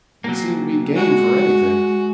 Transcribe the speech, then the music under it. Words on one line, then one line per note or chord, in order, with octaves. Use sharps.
They seem to be game for anything.
F#3 A#3
G#3 F#4